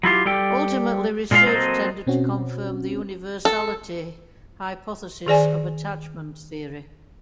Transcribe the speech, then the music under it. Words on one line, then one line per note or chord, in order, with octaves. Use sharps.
Ultimately research tended to confirm the universality hypothesis of attachment theory.
F#3 E4 F4 G4
G3 G4 A4 G5
A#2 G#3 F4 A4 F5
F#3 A#3 C4 A4 C5 D#5
B2 C4 C#4 F#4
A4
D#3 G#4 D5 G#5